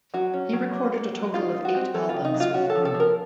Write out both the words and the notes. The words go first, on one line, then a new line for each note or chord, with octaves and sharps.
He recorded a total of eight albums with the group.
F#3 F#4
C#4
F#3
A#3
A#3
F#3
D#4 F4
D#4
F#4
C4
F#3 A4
F4
D#3
D#4
F#3
F4
C#4 F#4
A4
F3
A4
F3
A#4